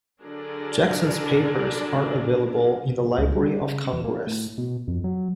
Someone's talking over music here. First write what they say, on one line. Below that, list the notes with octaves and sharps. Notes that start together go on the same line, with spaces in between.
Jackson's papers are available in the Library of Congress.
D3 F#3 D4 G#4 A#4
C#2
G3
C#3
E2
A#3
A2
B2
F2
F#3